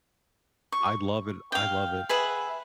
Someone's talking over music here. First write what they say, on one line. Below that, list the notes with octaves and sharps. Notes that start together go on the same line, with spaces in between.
I'd love it I love it,
C#6
F5 G5
G#4 B4 E5 F#5